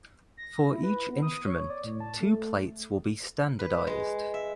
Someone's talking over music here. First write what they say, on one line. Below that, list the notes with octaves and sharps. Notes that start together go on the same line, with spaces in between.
For each instrument two plates will be standardized.
A#6
E4
B4
B3
D#6
C#5
D5
A2
A5
A3
B4
G#3
E5